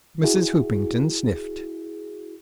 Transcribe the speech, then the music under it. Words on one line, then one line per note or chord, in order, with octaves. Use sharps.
Mrs. Hoopington sniffed.
E4 F#4 G#4